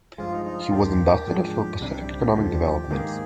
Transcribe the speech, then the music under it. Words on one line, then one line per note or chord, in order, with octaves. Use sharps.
He was Ambassador for Pacific Economic Development.
G2 F3 G#3 F4
D#4
D#4
F4
D#2 D#3 A#3 D4 G4
G#2 F3 G#3 D4
C2 C3 G3 D4
D#2 D3 F3
G#2 D#3 A#3 G#4